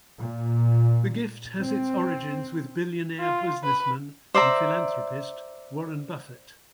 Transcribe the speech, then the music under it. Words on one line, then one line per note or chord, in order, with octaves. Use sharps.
The gift has its origins with billionaire businessman and philanthropist, Warren Buffett.
A#2
C4
F4
B4
C5 D5 E5 A#5